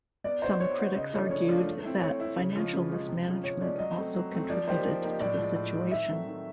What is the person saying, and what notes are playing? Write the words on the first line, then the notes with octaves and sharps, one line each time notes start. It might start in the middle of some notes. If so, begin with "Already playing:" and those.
Some critics argued that financial mismanagement also contributed to the situation.
B3 D5
D#4 F#4 B4 C5
B3 C#5
D#4 F#4 B4
C#3 D#5
F3 A3 D4 F4 C#5
D5
C#3 C#5
F3 A3 D4 F4
A3
C4 E4
A3 C#5
C4 E4
C#3
F3 G#3 C#4 F4
C#3
F3 G#3 C#4 F4
C3
F3 G#3 C#4 F4
C3 C#5
F3 G#3 C#4 F4 D5
F#3 D#5
A3 C4
F#3
A3 C4
F3 D5
A#3 D#4 G4 C5
F3
A#3 D#4 G4
A2 D5
F3 G#3
A2
F3 G#3
D#3 E5
F#3 A3 C4
D#3